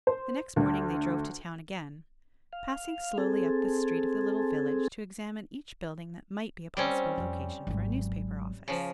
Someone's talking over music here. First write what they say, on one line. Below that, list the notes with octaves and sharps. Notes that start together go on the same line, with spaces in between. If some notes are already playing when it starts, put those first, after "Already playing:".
The next morning they drove to town again, passing slowly up the street of the little village to examine each building that might be a possible location for a newspaper office.
C5
D2
F5
C4 G#4 A4
G3 C4 C#4
F2
G#1 F#3
C#3 F3